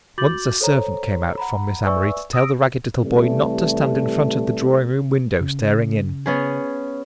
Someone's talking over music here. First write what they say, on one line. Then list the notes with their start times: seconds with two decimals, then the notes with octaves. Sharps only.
Once a servant came out from Miss Amory to tell the ragged little boy not to stand in front of the drawing-room window staring in.
0.18 F#4 D6 G6 A6 F#7
0.61 A4 C5 C#5 A#5
1.38 F#5 A#5 B5
1.85 B4 D5 E5 G#5 C#6 E6
2.33 D#6 E6 A#6 D7
3.03 C3 E3 G3 A3
5.41 C#3
6.26 B3 C#4 G#4